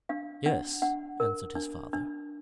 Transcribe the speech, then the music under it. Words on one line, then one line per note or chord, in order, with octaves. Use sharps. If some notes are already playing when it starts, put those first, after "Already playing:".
"Yes," answered his father.
D4 F5
D4 F#5
D4 F#5
A#4
D4
D4